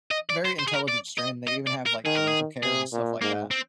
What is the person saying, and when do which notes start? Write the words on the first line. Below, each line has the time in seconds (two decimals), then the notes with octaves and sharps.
very intelligent strain, they even have, like, parental care and stuff like that.
0.11 D#5
0.30 D5
0.45 C5
0.59 C5
0.68 G#4
0.74 A#4
0.88 D5
1.18 D#5
1.47 D#5
1.67 D5
1.86 A#4
2.05 D#3 G#4
2.15 A#4
2.27 G#4
2.63 C3 G#4
2.93 A#2
3.22 G#2 A#3
3.51 C4